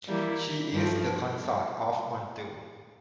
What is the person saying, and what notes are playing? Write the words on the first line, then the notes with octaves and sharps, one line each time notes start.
She is the consort of Montu.
E3 G3 A#3 E4
G2 F3 A3